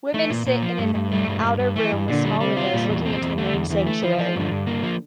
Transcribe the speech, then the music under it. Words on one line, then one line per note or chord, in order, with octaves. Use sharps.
Women sit in an outer room with small windows looking into the main sanctuary.
E3 A3
A#2
A#2
F3
G2 A3
G2
G3 A3
G2
G2
G2
E3 A3
G2
A#2 D3
G3
C3 G3
F4
A#2 G3
E2
C3 C4
E2
D3 A3
E2
E2 E3
A3
E3 F3
F3
G2 D3
G2
A#3
F3